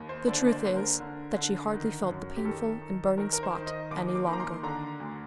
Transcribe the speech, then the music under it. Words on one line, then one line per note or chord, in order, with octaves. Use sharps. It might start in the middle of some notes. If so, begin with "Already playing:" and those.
The truth is, that she hardly felt the painful and burning spot any longer.
Already playing: D#2
C5
D3 D5
D5
C5
D3
A#4
D3
D3
D#3
F#2
G4
D#3 A4
D#3
D#3 A#4
A#4
C5
D#3
D#5
D#2 D6
D6
D#3
A#5
C6
D3 A#5
D2